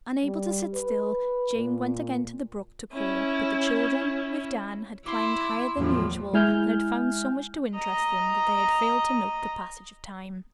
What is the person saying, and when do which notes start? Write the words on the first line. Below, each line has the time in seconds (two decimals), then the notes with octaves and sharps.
Unable to sit still, Jane went again to the brook to call, but the children, with Dan, had climbed higher than usual and had found so much to interest them that they had failed to note the passage of time.
0.24 G3
0.74 B4
1.55 A#2
2.93 C#4 E4
5.06 E4 C6 D6
5.77 E2 A2 F3 F#3 A#3
6.33 G#3 E4 G#5 F6 G6
7.75 D#5 A#5